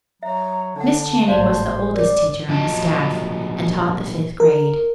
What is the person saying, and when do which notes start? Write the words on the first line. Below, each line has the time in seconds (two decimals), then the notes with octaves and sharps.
Miss Channing was the oldest teacher on the staff, and taught the fifth grade.
0.23 F#3 E5 A#5
0.76 D3 D4 F#5 A5
1.28 G#1 A2 G3 C5 D5 F5
1.94 G#1 A#4 C#5 D5
2.49 A#2 F3 F#3 D#5 A5
4.40 A#4